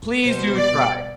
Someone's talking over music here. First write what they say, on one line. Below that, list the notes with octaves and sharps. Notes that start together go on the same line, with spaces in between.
Please do try.
B2 G3 C5
D5